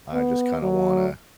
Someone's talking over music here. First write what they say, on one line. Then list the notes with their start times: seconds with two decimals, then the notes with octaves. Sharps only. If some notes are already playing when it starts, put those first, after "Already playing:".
I just kinda want a
0.13 B3
0.62 F#3